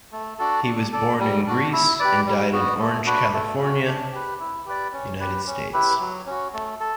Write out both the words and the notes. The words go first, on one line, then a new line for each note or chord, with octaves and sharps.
He was born in Greece and died in Orange, California, United States.
A3
D4 F#4 A4
D4
A4 D5
G3
D4 F#4
E4
G4 B4 D5
G3
B3 F#4
A3
D4 F#4 B4
A3
C#4 F#4
D4
G4 B4
E4
G4 B4 D5
C#4
G4 B4
C#4
E4 G4 B4
F#3
C#4 F#4
A3
A4